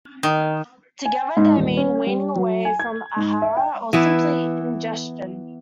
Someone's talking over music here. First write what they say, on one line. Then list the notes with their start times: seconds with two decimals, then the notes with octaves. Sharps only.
Together they mean "weaning away from ahara", or simply ingestion.
0.23 D#3
1.05 G#5
1.37 G#2
1.57 D#1
1.77 C#4
2.06 G3
2.36 F#3
2.65 G#5
2.80 G#6
3.16 G#2
3.42 E5
3.57 G5
3.93 E3 B3 E4